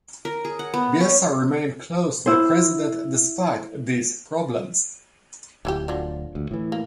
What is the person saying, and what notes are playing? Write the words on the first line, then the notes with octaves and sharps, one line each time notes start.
Bielsa remained close to the President despite these problems.
A#4
G#4
F#5
B3
C#4
E4 C5
D1 E3 E4 G4
D3 F3 F#3
D2
A2 E3
A#3